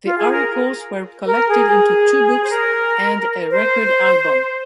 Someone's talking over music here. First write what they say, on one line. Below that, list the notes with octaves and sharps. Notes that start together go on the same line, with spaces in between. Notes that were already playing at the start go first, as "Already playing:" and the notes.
The articles were collected into two books and a record album.
F4
G#4
A#4
A#4
G#4
G#4
C5
A#4
C5